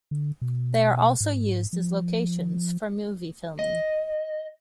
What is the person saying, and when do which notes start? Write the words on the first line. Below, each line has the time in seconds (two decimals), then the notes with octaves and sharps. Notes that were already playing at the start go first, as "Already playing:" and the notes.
They are also used as locations for movie filming.
0.11 D3
0.42 B2
1.21 G#2
1.73 F3
3.59 D#5